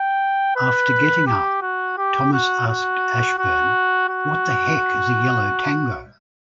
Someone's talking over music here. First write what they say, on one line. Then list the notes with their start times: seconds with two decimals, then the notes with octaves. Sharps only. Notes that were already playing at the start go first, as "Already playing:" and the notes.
After getting up Thomas asked Ashburn, What the heck is a Yellow Tango?
Already playing: G5
0.56 B4
1.27 G4
1.62 F#4
1.97 G4
2.33 F#4
2.68 F#4
3.38 F#4
4.09 F#4